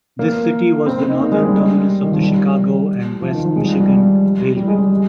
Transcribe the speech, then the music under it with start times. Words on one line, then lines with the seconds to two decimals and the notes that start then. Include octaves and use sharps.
This city was the northern terminus of the Chicago and West Michigan Railway.
0.19 A#3
0.86 C4
0.98 C4
1.09 D#4
1.20 A#3
1.32 G#3
1.42 G3
2.03 D#3
2.12 F3
2.21 G3
3.22 F3
3.34 D#3
3.45 F3
3.56 G#3
3.64 G3
3.73 F3
3.81 G3
4.57 G3
4.68 G#3
4.79 G3
4.90 G#3